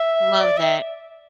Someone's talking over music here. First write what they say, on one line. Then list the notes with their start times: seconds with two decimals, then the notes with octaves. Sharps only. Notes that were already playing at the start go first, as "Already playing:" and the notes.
Love that.
Already playing: E5
0.41 D5
0.57 E5